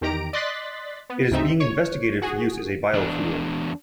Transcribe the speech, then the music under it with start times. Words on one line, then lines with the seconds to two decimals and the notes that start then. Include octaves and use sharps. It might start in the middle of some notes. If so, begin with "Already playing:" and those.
It is being investigated for use as a biofuel.
0.01 E2 D#3 G4 A#5 D7
0.33 D5 D#5 C6 F#6 A6 B6
1.10 B3
1.31 D2 C#3 C4 D#4 E5
1.60 C#5
2.22 F#4 G#4
2.94 E2 D4